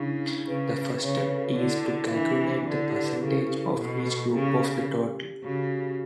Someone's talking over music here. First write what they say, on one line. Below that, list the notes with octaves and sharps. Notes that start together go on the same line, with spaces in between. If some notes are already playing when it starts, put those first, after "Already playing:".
The first step is to calculate the percentage of each group of the total.
Already playing: C#3 D4 E4
C#3 B4
C#3 C#5
B4
A4
F#4
D3 E4
E3 D4
D3 E4
G4
B4
C#3 A4
B2
C#3 G4
C#3 F#4